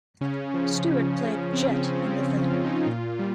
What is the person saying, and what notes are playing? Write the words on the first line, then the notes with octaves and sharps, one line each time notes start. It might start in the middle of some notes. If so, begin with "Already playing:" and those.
Stewart played Jett in the film.
C#3 C#4
F3
F3
C#3
C#3 C4
C#4
F3
C4
F3
F4
C#3
D#4
A#2 F4
G3